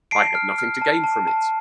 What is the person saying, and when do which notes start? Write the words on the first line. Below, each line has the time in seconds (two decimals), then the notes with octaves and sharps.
I had nothing to gain from it.
0.11 A5 C7 D7
0.35 F6
0.58 F6
0.82 A5
1.04 A5
1.27 A5